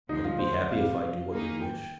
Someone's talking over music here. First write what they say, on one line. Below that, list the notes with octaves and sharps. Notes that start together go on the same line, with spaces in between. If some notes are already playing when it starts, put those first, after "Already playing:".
"Shall you be happy if I do what you wish?"
D2 D3 F3 D#4
F4
C5
D5
F2 C3 G3 F5
D#3 A#3 D#4 G#4
G5